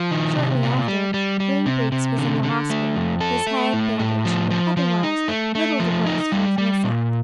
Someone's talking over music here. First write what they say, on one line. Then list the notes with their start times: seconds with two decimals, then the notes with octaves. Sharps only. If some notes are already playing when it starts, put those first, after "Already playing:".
Shortly after Green Breeks was in the hospital, his head bandaged, but otherwise little the worse for his mishap.
Already playing: F3
0.11 D#3
0.36 C3
0.63 A#2
0.88 G3
1.14 G3
1.40 G3
1.66 C3
1.92 C3
2.18 D3
2.43 D3
2.70 A3
2.96 F2
3.21 A4
3.47 A3
3.73 A2
3.99 A2
4.25 F3
4.51 F3
4.77 F3
5.03 D#4
5.28 A3
5.55 A3
5.80 F3
6.06 D#4
6.32 G3
6.58 G3
6.84 A#2